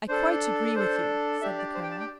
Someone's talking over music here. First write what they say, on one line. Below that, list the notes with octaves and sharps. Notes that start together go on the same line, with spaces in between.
"I quite agree with you," said the Colonel.
D4 A4 C5
D4 A4 C5
D4 G4 E5
D5
C5
G5
A5
G5